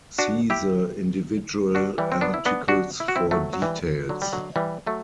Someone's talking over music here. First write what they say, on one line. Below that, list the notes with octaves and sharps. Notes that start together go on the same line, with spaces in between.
See the individual articles for details.
D4 F#4
E4 G4
D4 F#4
E3 G3
C4
B3 D4
E4
B3 D4
D4 F#4
E4
F#4
C4 E4
F#3 A3
F#3
E3 G3
D3 F#3
G3
D3 F#3
E3 G3
F#3 A3